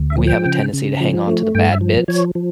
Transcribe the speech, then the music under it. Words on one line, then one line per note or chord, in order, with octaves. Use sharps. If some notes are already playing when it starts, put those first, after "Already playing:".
we have a tendency to hang on to the bad bits.
Already playing: D2
E5
F3
G5
C#3
C#3
F3
A3
G2 G5
E5
F3
F3 C#5
F3